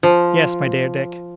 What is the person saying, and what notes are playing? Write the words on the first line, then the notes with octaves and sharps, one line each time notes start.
"Yes, my dear Dick!"
F3